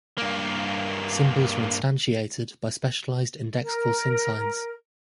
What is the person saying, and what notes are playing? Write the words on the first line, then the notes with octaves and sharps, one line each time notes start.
Symbols are instantiated by specialized indexical sinsigns.
G2 A#3
A#4